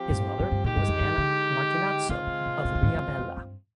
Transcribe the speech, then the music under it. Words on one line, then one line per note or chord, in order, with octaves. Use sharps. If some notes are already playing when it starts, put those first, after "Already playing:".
His mother was Anna Martinazzo, of Riabella.
Already playing: F3 C4 G4
G2
G2
G2
A#2 G#3 D#4 G4
G2
F2
G2
D3
D#3 G#3 C4 F4
D3
C3
A#2
A#2
G#2
G2
G2
F2
G2